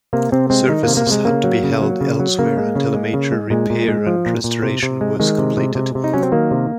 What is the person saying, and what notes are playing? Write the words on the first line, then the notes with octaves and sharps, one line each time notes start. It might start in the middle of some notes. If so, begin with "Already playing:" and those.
Services had to be held elsewhere until a major repair and restoration was completed.
C3 A#3
C3 C4
G#3 C4
D#3 D#4
C3 A#3
A#3
C3
G#3
C#3 A#3
F#3
C#3
F#3
C#3
F#3
C#3 A#3
G#3
C#3
G#3
C#3
G#3
A#2 G#3
A#2
G#3
F3
A#2
A#2
C3
C3
G#3
D#3 G#3
C3
C3
C3
C3
D#4
F#3 C#4
C4
D#3 A#3
C3